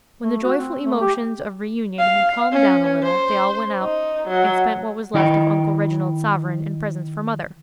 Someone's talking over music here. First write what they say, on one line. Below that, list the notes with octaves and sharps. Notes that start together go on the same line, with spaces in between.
When the joyful emotions of reunion had calmed down a little, they all went out and spent what was left of Uncle Reginald's sovereign in presents for mother.
A3
F#4
C4
A3
G4
F5
C#4
C5
D#4
F#3
D#3 E4 D#5 G5